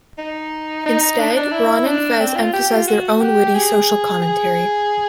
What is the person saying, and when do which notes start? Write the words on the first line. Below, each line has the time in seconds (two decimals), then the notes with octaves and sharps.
Instead, Ron and Fez emphasized their own witty social commentary.
0.18 D#4
0.86 D#4
1.19 D4
1.28 D#4
1.37 D4
1.52 E4
1.86 D4
2.20 C4
2.37 F4
2.53 G4
2.70 F4
2.87 F#4
3.21 G4
3.55 G#4
4.22 G#4